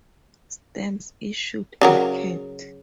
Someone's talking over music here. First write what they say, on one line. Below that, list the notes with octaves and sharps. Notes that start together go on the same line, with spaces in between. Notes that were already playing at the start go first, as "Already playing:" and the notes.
Stamps issued are cat.
C#3 F#3 A#4